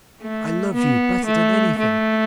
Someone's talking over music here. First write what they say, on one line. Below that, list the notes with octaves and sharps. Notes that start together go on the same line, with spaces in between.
I love you better than anything.
A3
B3
A3
A3